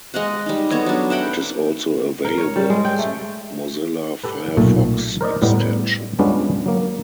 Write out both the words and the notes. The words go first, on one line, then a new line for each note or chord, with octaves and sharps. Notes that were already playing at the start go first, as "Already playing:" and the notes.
It is also available as a Mozilla Firefox extension.
G#3 D#5 F5 F#5
G3 D#4
B3 A4 C#5 D#5
F#3 D4
E5 F#5 G5 B5
A#4
C#5
G3
G#3
G5
A3
G4 A4 B4
B1 A#2 A3
A#4 C5 D5 D#5
A2 G3 B3
G3 G#3 B3 C#4 D4 F4
F#3 A#3